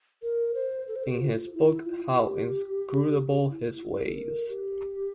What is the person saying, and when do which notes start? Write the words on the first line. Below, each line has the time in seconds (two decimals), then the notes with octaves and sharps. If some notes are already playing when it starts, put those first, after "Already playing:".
In his book How Inscrutable His Ways!
0.22 A#4
0.54 C5
0.88 A4
0.96 C5
1.04 A4
1.12 G4
1.20 F4
1.54 E4
1.86 F4
2.19 G4
3.51 E4
3.66 E4
3.83 F4
3.94 G4
4.05 A4
4.15 A#4
4.49 G4